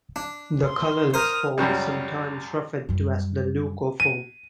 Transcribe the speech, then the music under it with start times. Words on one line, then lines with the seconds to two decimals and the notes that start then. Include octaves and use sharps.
The colorless form is sometimes referred to as the leuco form.
0.16 D4
0.66 C6
1.14 A#4 C5 D#6 F6
1.58 C#2 F#2 C#3 G3
2.89 F#2 G3
4.00 D#7